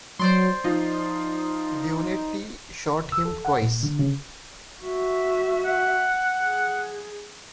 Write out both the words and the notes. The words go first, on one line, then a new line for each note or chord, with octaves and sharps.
Leonetti shot him twice.
F#3 C5 D5 C6
F3 D#4 F4
E6
A4
F#5
A#2
D3
C#3
F#4 E5
F#5
G#4